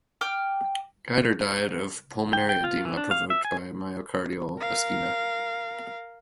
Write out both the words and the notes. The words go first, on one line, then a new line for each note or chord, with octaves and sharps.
Gaidar died of pulmonary edema, provoked by myocardial ischemia.
G5 D6 F6
G5
G5
F4
E3
D4
F5
E5
G#5
A#4 F5